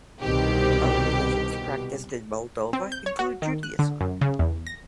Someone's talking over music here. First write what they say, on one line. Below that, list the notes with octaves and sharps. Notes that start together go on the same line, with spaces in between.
Other religions practiced in Moldova include Judaism.
C2 B2 D#3 C4 G4
C4
G6
C#5
F#4
D#3
F#6
D3
F#2
C#3
E2
A#6